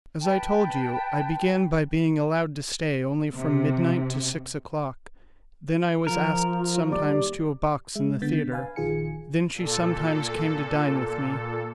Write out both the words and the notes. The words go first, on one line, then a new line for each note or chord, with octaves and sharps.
As I told you, I began by being allowed to stay only from midnight to six o'clock, then I was asked sometimes to a box in the theatre, then she sometimes came to dine with me.
B4 G5 A5
C3
F3 F4 A#4
D#2 G3 D5 D6
G#3 E5
D3 B3 G6 A6 B6
B4 F5 G#5
A#1 D#3 F4 G#4 G#5 C#7
A#2 A4